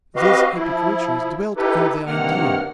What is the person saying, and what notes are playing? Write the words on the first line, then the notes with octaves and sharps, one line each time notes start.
These happy creatures dwelt in the ideal.
C4 F#4 G4 B4 D#5 F5
F3 E4
D#4 E4 G4 A4 B4
G2 C3 D#3 A#3 F#5 F6